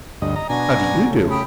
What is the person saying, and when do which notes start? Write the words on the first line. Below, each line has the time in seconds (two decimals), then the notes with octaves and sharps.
"How do you do?"
0.22 D2 G2 D#5
0.36 D#5 A#5
0.50 B2 D4 F#4 G#5 A#5
1.10 C#3 A3
1.30 G4 B5 D#6